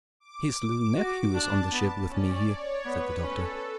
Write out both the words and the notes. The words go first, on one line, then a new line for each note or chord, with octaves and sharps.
"His little nephew is on the ship with me here," said the Doctor.
D6
F#4 D6
D4 A5
B3
C#4 D5
C#5
B3 B4
C#4 A4